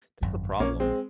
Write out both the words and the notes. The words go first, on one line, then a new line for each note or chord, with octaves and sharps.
That's the problem.
G#1 F#2 F3
A#1 A#2 F3 A#3 C#4
G#3 C4